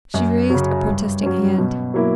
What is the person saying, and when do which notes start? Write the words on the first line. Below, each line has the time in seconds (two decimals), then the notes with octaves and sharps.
She raised a protesting hand.
0.14 F#2
0.50 C#3 F#3
0.87 G2
1.23 F#3 C#4
1.58 B2
1.94 F#3 A#3 E4